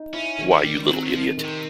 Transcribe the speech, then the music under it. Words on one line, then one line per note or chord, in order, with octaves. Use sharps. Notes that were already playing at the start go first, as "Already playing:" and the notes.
Why, you little idiot!
Already playing: D#4
C#4 E4
D#3
G3
D#3
F#3 C4
F3
D#3
D#3
C3